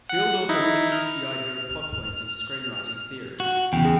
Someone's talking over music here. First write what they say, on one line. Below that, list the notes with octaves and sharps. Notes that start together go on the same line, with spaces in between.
Field also introduced the idea of Plot Points into screenwriting theory.
F#5
D#4 E4
F6
F#4
E2 C#3 G5
G#4